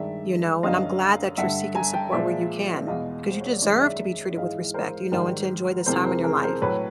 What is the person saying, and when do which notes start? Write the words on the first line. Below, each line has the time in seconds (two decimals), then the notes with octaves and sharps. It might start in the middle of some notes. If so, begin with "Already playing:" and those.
you know, and, I'm glad that you're seeking support where you can, because you deserve to be treated with respect, you know, and to enjoy this time in your life.
Already playing: G2 D#3 G#3 D5 E5
0.63 F#2 D3 G3 D#5 F5
1.38 G2 D3 G3 E5 F#5
1.75 G#5 A#5
1.93 G5 A5
2.12 A#2 F3 G#3 D5 E5
2.87 E2 B2 G#3 D#5 F5
3.31 C5
3.41 C#5
3.51 D5
3.62 F#2 D#3 G#3 C#5 D#5
3.81 D5 E5
4.37 G#2 E3 G#3 D#5 F5
4.74 A#4 C5
5.12 G#2 D#3 G3 A#4 C5
5.86 F2 C3 E3 G#3 A#4 C5
6.05 A#4 C5
6.24 G#4 A#4
6.42 A#4 C5
6.62 A2 F#3 B4 C#5